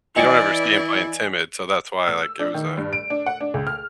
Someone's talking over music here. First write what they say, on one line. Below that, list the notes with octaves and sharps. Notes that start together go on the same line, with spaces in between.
You don't ever see him playing timid, so, that's why, like, it was a
E3 E4 D5 D#5 G#5 C#7
E6
D4
D#3
G2
D7
D4
F#5
D4
C#2
F6